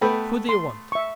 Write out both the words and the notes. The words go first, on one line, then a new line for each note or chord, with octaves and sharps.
"Who do you want?"
A3 B3 B4 G5
C6
E5 C#6